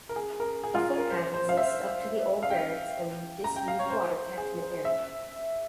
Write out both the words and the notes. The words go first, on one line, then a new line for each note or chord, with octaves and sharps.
A footpath exists up to the old barracks and disused water catchment area.
A#4
G#4
A#4
G#4
F4
A#4
C5
C5
F5
E5
F5
G5
A#5
G5
F5
C#5
C5
G#4
E5